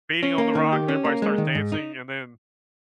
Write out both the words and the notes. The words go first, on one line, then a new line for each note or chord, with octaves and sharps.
beating on the rock and everybody starts dancing and then
C#4
A#3
D#3
G4
C#4
A#3
G#3
D#3
G#2
D#4